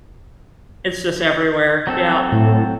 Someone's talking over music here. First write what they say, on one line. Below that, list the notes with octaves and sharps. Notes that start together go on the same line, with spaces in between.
It's just everywhere, yeah.
F#3 C4 A4
A2